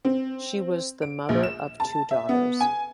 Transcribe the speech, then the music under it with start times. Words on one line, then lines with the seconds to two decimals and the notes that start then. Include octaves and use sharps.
She was the mother of two daughters.
0.05 C4
1.02 D7
1.29 A#1
1.43 E7
1.80 A5
2.11 E5
2.29 B3
2.61 G#5